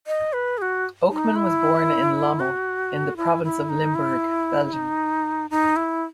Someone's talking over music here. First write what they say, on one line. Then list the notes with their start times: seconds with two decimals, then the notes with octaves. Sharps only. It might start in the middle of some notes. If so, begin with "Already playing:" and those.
Oakman was born in Lommel, in the province of Limburg, Belgium.
0.07 D#5
0.33 B4
0.58 G#4
0.62 F#4
1.11 D#4
1.35 E4
2.40 F#4
3.17 E4
3.44 E4
3.69 D#4
3.95 E4
4.73 D#4
5.50 D#4
5.76 E4